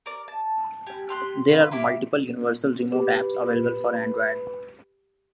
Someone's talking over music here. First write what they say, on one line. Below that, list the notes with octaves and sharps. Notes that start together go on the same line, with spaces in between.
There are multiple universal remote apps available for Android.
A#4 D5
A5
G4 G#5
G4 C6 F#6
F4 F#4 B4
A#3 E4 G4 D6
G4 G#4 B4